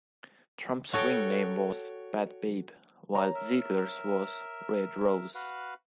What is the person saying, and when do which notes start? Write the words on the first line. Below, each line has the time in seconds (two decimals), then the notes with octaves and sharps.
Trump's ring name was "Bad Babe" while Ziegler's was "Red Rose".
0.93 F#4 A4 C#5 G5
3.15 C#5 A#5
3.35 A#4 E5
5.35 F#4 B4 F5